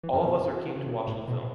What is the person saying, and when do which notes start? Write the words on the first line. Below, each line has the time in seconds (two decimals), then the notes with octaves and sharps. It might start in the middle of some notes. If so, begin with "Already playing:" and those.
All of us are keen to watch the film.
0.03 E3
0.13 F#2
0.24 B2
0.34 C#3
0.44 E3
0.55 F#3
0.65 E3
0.76 C#3
0.86 B2
1.07 A2
1.28 B2